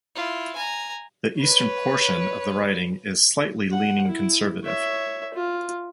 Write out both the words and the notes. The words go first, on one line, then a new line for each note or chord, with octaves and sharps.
The eastern portion of the riding is slightly leaning Conservative.
E4 F4
G#5 A#5
B4 C#5
F#5
E4
C#5 E5
F4